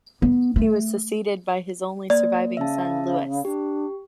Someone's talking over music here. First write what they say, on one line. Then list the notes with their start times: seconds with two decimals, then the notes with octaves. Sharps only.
He was succeeded by his only surviving son Louis.
0.22 B3
0.56 A3
2.10 A#3 D5
2.57 C#3 E5 A5
3.45 D4 G4